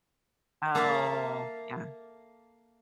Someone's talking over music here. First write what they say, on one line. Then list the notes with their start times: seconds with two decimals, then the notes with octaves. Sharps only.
Oh, yeah.
0.75 A#3 A4 A#4 E5 F5 A5